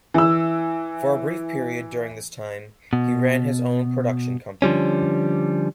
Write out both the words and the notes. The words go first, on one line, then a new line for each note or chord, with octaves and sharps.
For a brief period during this time, he ran his own production company.
E3 E6
B2
D3 F3 G3 C#4